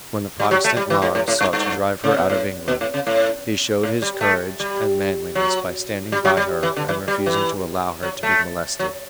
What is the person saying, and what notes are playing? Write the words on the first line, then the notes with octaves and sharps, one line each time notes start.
When the Protestant mobs sought to drive her out of England he showed his courage and manliness by standing by her and refusing to allow her to be molested.
G3
F#3
A3
G3
E3
A2
A2
A2
G2
G2
C#3
B2
A2
B2
A2
C#3
A2
A2
G3
A3
G3
F#3
G3
F#3
G3
E3
D3
E3
G3
E3
F#3
A3
F#3